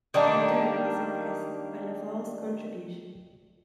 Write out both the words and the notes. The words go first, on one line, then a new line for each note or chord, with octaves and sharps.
Van Gogh was impressed by Laval's contribution.
D#3 G3 A#3 D4